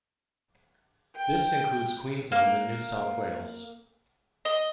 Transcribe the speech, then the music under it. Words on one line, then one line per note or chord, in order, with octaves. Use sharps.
This includes Queensland and New South Wales.
G5
A#3
D#5